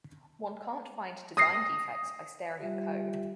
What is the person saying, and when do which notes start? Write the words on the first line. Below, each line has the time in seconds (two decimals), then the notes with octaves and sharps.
One can't find design defects by staring at code.
1.37 D#6 A#6 C7
2.58 G3 F4 G4 E5